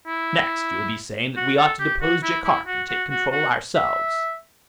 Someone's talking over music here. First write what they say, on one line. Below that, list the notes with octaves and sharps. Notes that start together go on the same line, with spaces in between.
"Next, you'll be saying that we ought to depose Jaikark and take control ourselves."
E4
F#4
A4
G4
F#4
E4
E4
F#4
F#4
F#4
F#4
E5